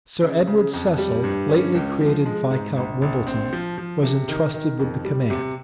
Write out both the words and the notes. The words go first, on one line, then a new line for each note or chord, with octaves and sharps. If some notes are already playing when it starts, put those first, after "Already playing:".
Sir Edward Cecil, lately created Viscount Wimbleton, was intrusted with the command.
C#3
C#3
F2
G3
G2
C#4
C#2
F3
G#3
G#2
A#1
A#1
C4
F3
F3
C3
D#3
D#3
F2
G3
C3